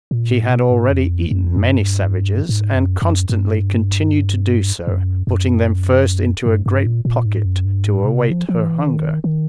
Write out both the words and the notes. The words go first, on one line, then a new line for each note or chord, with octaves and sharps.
She had already eaten many savages and constantly continued to do so, putting them first into a great pocket to await her hunger.
A#2
A2
B2
G#2
F2
F#2
F2
F#2
G2
G#2
F#2
F#2
G2
F#2
F#2
G2
G2
A#2
A#2
G#2
F#2
G2
G#2
C3
F3
F3
E3
D#3
D#3